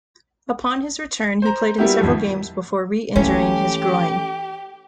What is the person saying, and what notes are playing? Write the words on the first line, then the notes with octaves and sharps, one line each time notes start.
Upon his return, he played in several games before re-injuring his groin.
C5 A#5
G3 A#3 B3 E4 F#4 G4
G#1 F3
E3 A3 A#3 C#4 G4